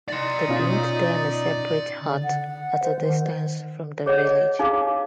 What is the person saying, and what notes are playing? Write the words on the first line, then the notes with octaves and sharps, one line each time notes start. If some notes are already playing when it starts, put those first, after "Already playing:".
They build them a separate hut at a distance from the village.
D#4 D5 C6
B2 C#4 F4
D3
F#5
C5
D#3
G#4 C#5 D#5 F#5
D#4 E4 G#4 F5 D6